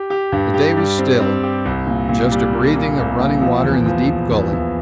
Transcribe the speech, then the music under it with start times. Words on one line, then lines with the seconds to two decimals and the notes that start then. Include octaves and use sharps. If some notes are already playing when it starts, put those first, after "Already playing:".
The day was still--just a breathing of running water in the deep gully.
Already playing: G4
0.10 G4
0.32 G2
0.54 G4
0.77 G3
0.98 C4
1.20 C4
1.43 G4
1.65 C2
1.86 A#2
2.09 A#2
2.32 G3
2.53 A#3
2.76 A#2
2.98 C2
3.20 A#2
3.41 F3
3.63 E2
3.86 F3
4.08 E2
4.31 E2
4.53 E2